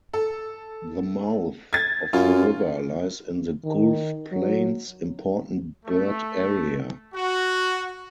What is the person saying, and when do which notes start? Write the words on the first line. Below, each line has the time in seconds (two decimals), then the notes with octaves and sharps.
The mouth of the river lies in the Gulf Plains Important Bird Area.
0.14 A4
1.73 G#6 A6
2.13 F#2 F4
3.64 D#3
4.32 F#3
5.86 A3
7.14 F#4